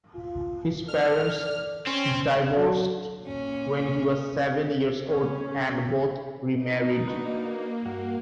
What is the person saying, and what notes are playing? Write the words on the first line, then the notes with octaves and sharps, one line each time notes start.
His parents divorced when he was seven years old and both remarried.
F4
A4 D5 F6
C4 C#4
F#3
A#2 C#4
C#3 C#4
D#4
A#3 D4 F#4 B4
G2 F#4